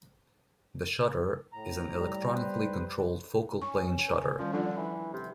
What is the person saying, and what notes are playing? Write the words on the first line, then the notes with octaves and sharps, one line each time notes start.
The shutter is an electronically controlled focal-plane shutter.
A2 A#5
G3
B4 C5
C#4 G#5 C#6
A#4
D#3 F3 G3 C#4
D3 F3 D4 F4
E3
C3